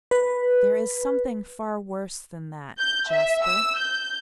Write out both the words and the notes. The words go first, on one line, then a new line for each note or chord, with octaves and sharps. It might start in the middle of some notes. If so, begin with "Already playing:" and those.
'There is something far worse than that, Jasper.'
B4
G6
E5
E6
G6